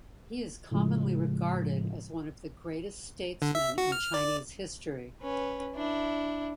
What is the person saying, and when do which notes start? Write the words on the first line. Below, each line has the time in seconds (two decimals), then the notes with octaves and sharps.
He is commonly regarded as one of the greatest statesmen in Chinese history.
0.71 A2 C#3 F3 G#3
3.42 D3
3.55 E5
3.78 F#4
3.92 F6
4.14 D5
5.22 C#4 B4
5.75 D4 E4